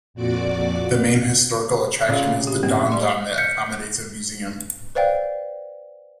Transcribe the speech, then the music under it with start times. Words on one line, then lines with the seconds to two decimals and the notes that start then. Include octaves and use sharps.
The main historical attraction is the donjon that accommodates a museum.
0.14 F2 A#2 F#4 D5 D6
2.09 A#2 C#3 F4
2.27 C3
2.47 E3 G4
2.63 F2 G#2 A#3 C4
2.92 A2 G3 E5 C6
3.38 F6 G6 B6 C#7
4.95 B4 C5 D5 F5 G5